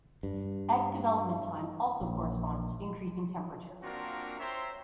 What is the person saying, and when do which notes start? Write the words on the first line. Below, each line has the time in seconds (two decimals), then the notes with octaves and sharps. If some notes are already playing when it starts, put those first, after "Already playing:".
Egg development time also corresponds to increasing temperature.
0.23 G2
2.01 A#1
3.83 A#3 C4 D4 F4 F#4 A#4
4.39 C5 C#5 E5 G5 A#5 C6